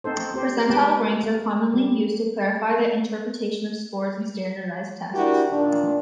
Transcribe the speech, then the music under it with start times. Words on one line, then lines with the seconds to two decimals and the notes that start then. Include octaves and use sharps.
Percentile ranks are commonly used to clarify the interpretation of scores on standardized tests.
0.04 C4 D#4 A4 C5
0.34 C4 G4 C5
0.70 G#3 G4 B4 G5 A5
1.23 A#3
1.74 G3
5.14 D4 E4 F#4 G4 A#4
5.50 A#2 D#3 D4